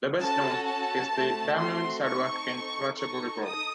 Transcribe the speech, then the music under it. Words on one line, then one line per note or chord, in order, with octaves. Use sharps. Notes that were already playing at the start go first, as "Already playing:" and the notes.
The best-known is the Damnoen Saduak in Ratchaburi Province.
C#4 F#4 A4 A5
A5
A3 C4 F#4 A4
C6
C4 D#4 A4 C#6
D#4 A4 C#6
D#6